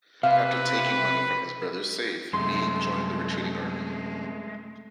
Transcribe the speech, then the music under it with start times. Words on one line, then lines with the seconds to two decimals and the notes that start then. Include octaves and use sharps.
After taking money from his brother's safe, Bean joined the retreating army.
0.23 C3 B4 F5
2.33 F#2 C3 G#3 A3 C6